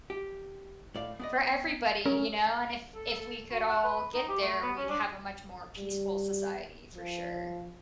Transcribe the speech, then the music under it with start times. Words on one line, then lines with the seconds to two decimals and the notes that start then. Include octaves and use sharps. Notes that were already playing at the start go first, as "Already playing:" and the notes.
for everybody, you know, and if if we could all get there, we'd have a much more peaceful society for sure.
0.10 G4
0.95 A2 D5 F5
1.20 B3 D5 D#5
2.06 C#4 A#4
2.95 A4
3.13 A4
3.51 F#4
3.69 F#5
3.84 B4
4.14 D#4
4.29 G4
4.41 A3
4.62 B3
4.77 C#4
4.89 D4
5.78 G3
6.96 F3